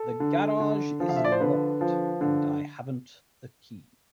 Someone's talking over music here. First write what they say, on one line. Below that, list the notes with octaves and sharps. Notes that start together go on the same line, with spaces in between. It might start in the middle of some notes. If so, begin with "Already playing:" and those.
The garage is locked; and I haven't the key.
Already playing: A4
D3
D3
F3
F5
E5
D5
C5
D3 B4
F3
D3